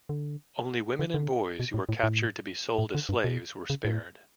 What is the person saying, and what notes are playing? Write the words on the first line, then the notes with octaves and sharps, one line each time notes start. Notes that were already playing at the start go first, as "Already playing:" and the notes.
Only women and boys who were captured to be sold as slaves were spared.
D3
D3
D3
B2
A2
A2
A2
A2
D3
G2
B2
C#3
A2